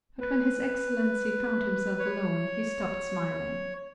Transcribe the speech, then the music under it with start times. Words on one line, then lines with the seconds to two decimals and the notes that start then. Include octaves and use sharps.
But when his Excellency found himself alone he stopped smiling.
0.21 B4
1.99 C#5